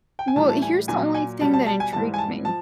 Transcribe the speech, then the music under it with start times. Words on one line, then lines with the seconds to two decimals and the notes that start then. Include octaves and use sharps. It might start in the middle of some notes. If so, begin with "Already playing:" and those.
Well, here's the only thing that intrigues me
0.19 G5
0.28 G#5
0.36 A2 E3 G3 A5
0.49 A5
0.62 G#5
0.88 A#2 F#3 G#5
1.15 G#5
1.40 B2 G3 A5
1.54 A5
1.66 A5
1.80 G#5
1.93 G#2 E3 G3 A5
2.14 G#5
2.18 A5
2.45 F3 A5